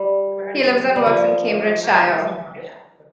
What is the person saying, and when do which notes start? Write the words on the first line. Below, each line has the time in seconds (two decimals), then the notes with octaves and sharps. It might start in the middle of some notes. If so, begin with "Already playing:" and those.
He lives and works in Cambridgeshire.
Already playing: G3
0.96 G3
1.06 F3